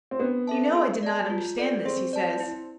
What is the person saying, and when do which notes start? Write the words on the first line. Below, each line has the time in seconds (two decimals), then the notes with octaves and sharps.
"You know I did not understand this," he says.
0.11 C4
0.19 B3 D4
0.47 A4 E5 A5
0.75 G#4
1.03 D5 A5
1.30 F4
1.58 A4 D5
1.85 C4 G#4
2.13 D5 A5
2.40 E4